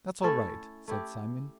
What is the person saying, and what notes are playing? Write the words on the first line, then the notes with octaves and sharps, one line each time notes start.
'That's all right,' said Simon.
A3 C#4 E4 A4
A3 E4 G4